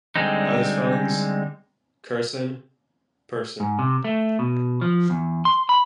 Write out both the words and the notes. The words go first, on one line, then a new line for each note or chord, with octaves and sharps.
"Other spellings": Curson, Pursan.
D3 G3 G#3 C4 D#4
G#2
C3
A3
B2
F3
E2
C6
B5